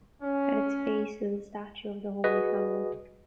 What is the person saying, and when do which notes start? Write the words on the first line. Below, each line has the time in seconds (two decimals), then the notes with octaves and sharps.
At its base is a statue of the Holy Family.
0.22 C#4
2.24 F#4 G#4 B4 D#5